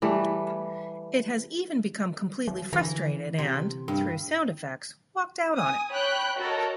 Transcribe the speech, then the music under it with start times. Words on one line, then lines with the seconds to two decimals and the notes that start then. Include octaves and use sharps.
It has even become completely frustrated and, through sound effects, walked out on him.
0.02 E3 G3 A3
2.48 F#3
2.73 D3 E3 A#5
3.38 C3
3.88 G2
5.55 G#5 D#6
5.92 C#5 G5 B5 F#6
6.39 F#4 A4 A#4 C#5 D#5